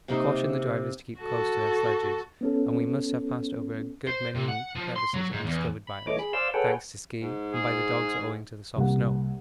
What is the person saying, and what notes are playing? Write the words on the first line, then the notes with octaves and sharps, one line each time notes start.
I cautioned the drivers to keep close to their sledges and we must have passed over a good many crevasses undiscovered by us, thanks to ski, and by the dogs owing to the soft snow.
C3 A#3 D#4 C5
F#4 A4
B3 C#4 A4
C5
C3
F#5
F3
C6
F#3
G#2
E2
B5
E3 A3 C#5 D#5 D6
G#4 B5
C5 D5 F5 C6 E6
G#4 A4 B4 C#5 F#5 G5
G#2
G#4
C2 A#3 F#5